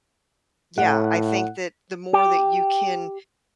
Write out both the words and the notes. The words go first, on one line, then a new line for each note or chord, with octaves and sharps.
yeah, I think that the more that you can
A2 F#5
G4